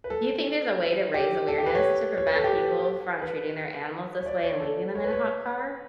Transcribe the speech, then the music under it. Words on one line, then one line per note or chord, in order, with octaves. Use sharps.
Do you think there's a way to raise awareness to prevent people from treating their animals this way and leaving them in a hot car?
B4
A4
G4
A4
G4
B4
C#5
C#5
B4
A4
G4
B4
B4
C#5
D5
C#5
A4
C#5
B4
C#5